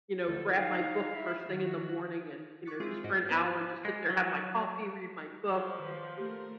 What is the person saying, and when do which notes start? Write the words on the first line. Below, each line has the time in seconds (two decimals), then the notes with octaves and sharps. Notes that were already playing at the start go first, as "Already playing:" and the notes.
you know, grab my book first thing in the morning and, you know, just for an hour, just sit there, have my coffee, read my book,
0.23 D2 A4
0.52 D#4 F5
1.14 E4
1.49 D#3 F#4
2.65 C#6 D6 F#6 A6 B6 C#7
2.80 G#3 C4 E4 F4 G#4
3.04 G#2 F#4 D#5 B6 D7
3.27 B3 B4 C5 D6 E6
3.85 G#3
4.10 F#3
5.47 F3
5.79 D#3 B4
6.18 A3 G4 A#4